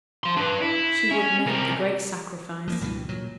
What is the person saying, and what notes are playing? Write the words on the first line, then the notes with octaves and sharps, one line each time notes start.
She would make the great sacrifice.
F3 C6
D4 B4
E4
C#4
C3 A#4
F3 G#3 A#3
C#2 G2 B2 E3
A#2 F#3